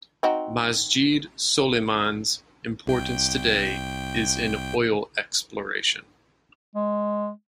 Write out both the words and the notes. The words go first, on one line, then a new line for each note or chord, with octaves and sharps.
Masjed Soleyman's importance today is in oil exploration.
C4 D#4 F#4
C2 G5
G#3